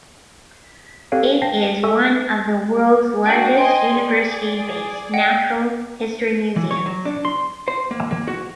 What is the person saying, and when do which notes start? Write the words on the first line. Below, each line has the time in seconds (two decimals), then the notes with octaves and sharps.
It is one of the world's largest university-based natural history museums.
1.12 C4 G4 A4 C#5 F5
1.42 G5 A5 A#6 C7
1.83 A4 E5 G#5 C#6 E6
3.26 D4 F#4 G5 G6 F#7
3.58 D#5 G5 G#5 C6
3.91 G#4 D5
5.14 D#5 F#5 G5
6.56 E3
6.71 C#5
6.86 F#3
7.05 D4
7.25 C6
7.68 C5
7.91 A#3
8.11 A#3
8.28 F#4